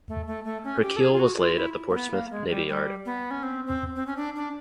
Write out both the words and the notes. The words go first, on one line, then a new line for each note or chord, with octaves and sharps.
Her keel was laid at the Portsmouth Navy Yard.
A3
A3
A3
C#4
G4
A4
G#4
F4
F#4
F4
E4
A#3
B3
A#3
G#3
G3
G3
B3
C#4
C4
C4
C4
C#4
D4
D4